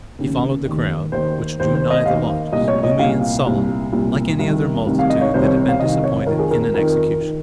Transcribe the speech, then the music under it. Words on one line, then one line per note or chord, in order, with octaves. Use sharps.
He followed the crowd, which drew nigh the lodges, gloomy and sullen, like any other multitude that had been disappointed in an execution.
D#2 C#3
D#2 D#3
D#2 D#3 C5
D#2 D#3 C5
C5
D#5
D#2 D#3 F5
C2 A#2 D#5
C#5
D#5
C2 A#2 F5
C2 A#2
C2 A#2
C2 C3 D#3
C2 C3 D#3
F5
D#5
C#5
C2 C3 D#3 C5
C#5
F5
C2 C3 D#3 D#5
C#5
F2 D#3 A#4
G#4
A#4
A#4
F2 D#3 A#4
D#3